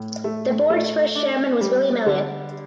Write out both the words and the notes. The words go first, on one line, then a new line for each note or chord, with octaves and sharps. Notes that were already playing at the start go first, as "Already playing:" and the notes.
The board’s first chairman was William Elliott.
Already playing: A2
A3
A3
D4
G3
D3